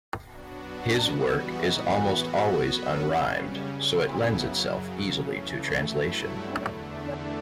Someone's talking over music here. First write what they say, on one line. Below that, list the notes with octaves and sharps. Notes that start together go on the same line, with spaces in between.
His work is almost always unrhymed, so lends itself easily to translation.
F#3 B3 D4 F#4
C#3 E3 G3 B3 F#4
A2 E3 B3 F#4
F#3 B3 F#4 B4
C#3 G3 C#4
C#3 F#3 B3 E4
F#2 C#3 F#3
C#3 E3 A3
G2 F#3 A3 E4
E2 D3 A3 D4